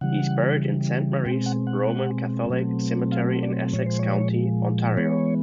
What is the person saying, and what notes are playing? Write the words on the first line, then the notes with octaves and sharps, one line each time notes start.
He is buried in Saint Mary's Roman Catholic Cemetery in Essex County, Ontario.
C#3 E3 G3 F#5
B2 G#3 C4 G5
F#5
F#5
B2 F#3 A3 C4
F5
D5
A#2 F3 G#3 C#5
C5
C#5
E3 G#3 B3 C#5